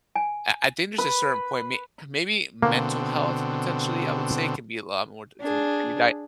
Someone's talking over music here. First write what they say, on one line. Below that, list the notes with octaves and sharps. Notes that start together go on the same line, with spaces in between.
I I think there's a certain point may maybe mental health potentially, I would say, could be a lot more c can be can be dia
G#5
B4
B2 D3 A#3 C4
D4 G#4